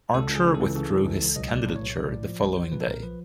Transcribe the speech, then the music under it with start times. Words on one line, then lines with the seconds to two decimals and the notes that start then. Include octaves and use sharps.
Archer withdrew his candidature the following day.
0.14 C#2 A4
0.29 C#2
0.35 G#4
0.45 C#2
0.55 A4
0.60 E3
0.75 C#3 A4
0.91 E3
1.06 C#2
1.21 C#2
1.36 B1 D#5
1.51 B1
1.56 D5
1.66 A2
1.76 C#5
1.82 B1
1.96 B1 D5
2.11 A2
2.26 F3
2.42 B1
2.56 F3 C5
2.72 A#2 B4
2.81 A4
2.87 B1 A#4
3.03 F3 B4